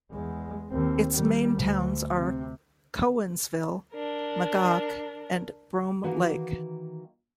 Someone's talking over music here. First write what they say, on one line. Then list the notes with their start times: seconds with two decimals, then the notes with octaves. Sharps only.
Its main towns are Cowansville, Magog, and Brome Lake.
0.12 E2 G#3
0.69 D#2 C4
1.14 D#3 G3
1.54 D2
2.16 C3
3.92 D4 A#4
6.03 D#3 E3 A#3 F#4 F5 F#5